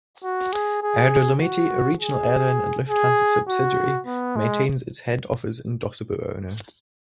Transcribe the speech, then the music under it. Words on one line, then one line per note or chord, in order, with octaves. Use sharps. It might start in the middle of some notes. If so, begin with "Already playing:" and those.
Air Dolomiti, a regional airline and Lufthansa subsidiary, maintains its head office in Dossobuono.
F#4
G#4
G#4
F#4
G#4
G#4
F#4
B3
G#3